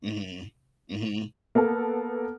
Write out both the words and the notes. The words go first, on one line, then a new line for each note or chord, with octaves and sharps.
Mhm, mhm.
A#3 B3 A4 A5